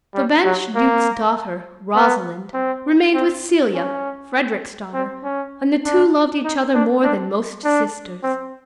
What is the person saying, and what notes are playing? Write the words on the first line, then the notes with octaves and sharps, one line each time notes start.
The banished Duke's daughter, Rosalind, remained with Celia, Frederick's daughter, and the two loved each other more than most sisters.
G3
F#3
A#3
B3
C4
C4
C#4
C4
C#4
D4
D#4
D4
D4
D4
C4